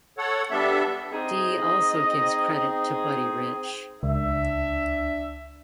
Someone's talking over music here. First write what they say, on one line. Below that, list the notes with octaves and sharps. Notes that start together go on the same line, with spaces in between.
Dee also gives credit to Buddy Rich.
A4 C#5 F#5
G3 B3 D4 A4 E5
C4 D#4 G#4 D#5
C#2 D4 E5